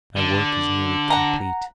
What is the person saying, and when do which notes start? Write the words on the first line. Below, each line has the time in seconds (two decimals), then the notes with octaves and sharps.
My work is nearly complete.
0.17 D3
1.10 F#5 A#5